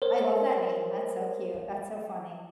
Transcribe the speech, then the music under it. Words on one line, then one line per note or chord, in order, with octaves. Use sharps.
I love that name, that's so cute, that's so funny.
A#4 C5 C#5